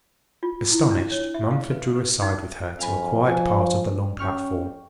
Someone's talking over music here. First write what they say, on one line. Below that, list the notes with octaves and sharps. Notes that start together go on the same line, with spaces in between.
Astonished, Mumford drew aside with her to a quiet part of the long platform.
F4
E4
D4
C#5
E5
F5
B4
B4
D#4
F2 F5 G#5 B5
F3 G#5
C#4 G4 C#6 F6